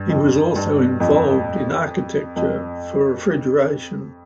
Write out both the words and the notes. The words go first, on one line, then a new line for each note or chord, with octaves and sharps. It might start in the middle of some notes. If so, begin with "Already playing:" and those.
He was also involved in architecture for refrigeration.
Already playing: G2
F2
G2
F2
F2